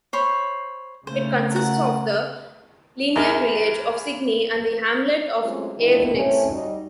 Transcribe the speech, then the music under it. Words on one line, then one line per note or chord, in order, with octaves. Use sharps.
It consists of the linear village of Signy and the hamlet of Avenex.
C5 C#5 B5
C#3 A3 C5
A#4 F#5
E2 A#4
F#3 G#3 A3 C4 C#4 F4
A#2 D3 D#3 G3 A#3 E4
E3 A3 C4 C#4
G3 D#4 F#4